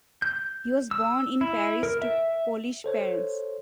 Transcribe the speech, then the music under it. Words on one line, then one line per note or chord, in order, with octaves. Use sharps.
He was born in Paris to Polish parents.
G6
E6
E4
A#4
E5
A4 C5 C#5